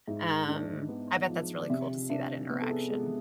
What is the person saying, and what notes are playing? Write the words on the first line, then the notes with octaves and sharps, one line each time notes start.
um, I bet that's really cool to see that interaction.
G#2 E5
D4
B3
F3
D5
C3 E5
D4 E5
B3
A4
G#4
G#3 A4